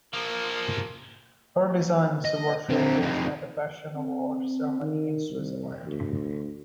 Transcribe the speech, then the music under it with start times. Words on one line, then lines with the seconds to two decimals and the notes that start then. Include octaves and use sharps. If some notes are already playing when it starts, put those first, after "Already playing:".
Her designs were showcased at the Fashion Awards Ceremony in Switzerland.
0.13 F3 A#3
2.25 D#5
2.69 D3 C4
3.00 F2 D#4
3.95 C4
4.81 D#3
5.30 C2
5.87 D2